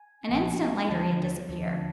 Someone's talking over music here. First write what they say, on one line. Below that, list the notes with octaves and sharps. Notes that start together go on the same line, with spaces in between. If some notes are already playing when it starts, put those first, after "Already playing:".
An instant later he had disappeared.
Already playing: G#5
B1 A#2 F3
D#2 D3 F3 A5
D#2 D3 F3